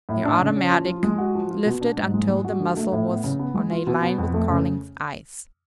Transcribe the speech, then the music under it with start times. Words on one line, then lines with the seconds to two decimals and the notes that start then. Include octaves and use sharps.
The automatic lifted until the muzzle was on a line with Carling's eyes.
0.09 A2
0.25 D4
0.39 C#3
0.56 C#4
0.71 F3
0.87 F4
1.03 G#3
1.18 F#4
1.35 F3
1.51 F4
1.66 B2
1.81 D4
1.97 G#2
2.14 G#3
2.28 G#3
2.45 F#4
2.60 D3
2.77 A3
2.92 A2
3.07 B3
3.24 C#3
3.39 B3
3.54 G#3
3.71 F4
3.87 B2
4.02 B3
4.18 F2
4.34 A3
4.49 C#3